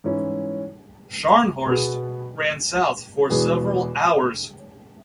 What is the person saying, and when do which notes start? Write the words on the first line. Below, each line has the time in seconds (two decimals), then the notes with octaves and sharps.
"Scharnhorst" ran south for several hours.
0.04 G#2 E3 C#4 E4
1.67 B2 B3 G#4
3.30 E2 B2 G#3 B3 G#4